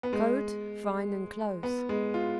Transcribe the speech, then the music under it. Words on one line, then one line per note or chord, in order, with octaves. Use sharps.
COAT--Fine and close.
B3
G#3
B3
G#3
F4